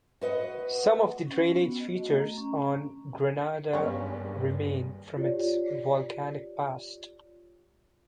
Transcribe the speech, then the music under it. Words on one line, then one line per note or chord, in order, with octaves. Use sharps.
Some of the drainage features on Grenada remain from its volcanic past.
F#4 B4 D#5 F#5
C#4
B3
F#4
D#5
A3
A#5
C#4
F#1 G2 G3 A#3 B3 C#4
F4 G4 C#5 D5